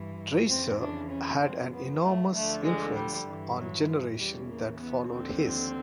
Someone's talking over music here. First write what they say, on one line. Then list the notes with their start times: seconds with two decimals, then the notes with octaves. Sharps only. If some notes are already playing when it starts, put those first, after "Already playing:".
Dreiser had an enormous influence on the generation that followed his.
Already playing: G2 E3
0.48 F2 C#3 E3 C4
0.79 D4
1.10 C#4
1.41 F#2 C#3 F3 C4
1.72 B3
2.02 A3
2.33 D2 D3 F3 A3
2.63 G#3
2.94 G3
3.25 G2 E3
3.55 F#3
3.85 F3
4.16 E2 C#3 E3 G3
4.47 A#3
4.78 B3
5.08 D#2 D3 F3 C4